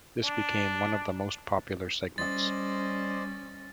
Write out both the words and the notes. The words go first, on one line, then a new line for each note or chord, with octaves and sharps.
This became one of the most popular segments.
D4
G3 C#4 C5 D5 D#5 A6